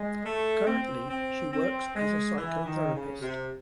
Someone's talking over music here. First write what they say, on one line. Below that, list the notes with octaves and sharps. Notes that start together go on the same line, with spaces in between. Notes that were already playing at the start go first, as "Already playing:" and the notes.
Currently, she works as a psychotherapist.
Already playing: G#3
A3
C4
C4
C4
G#3
E3
D#3
C#3
C3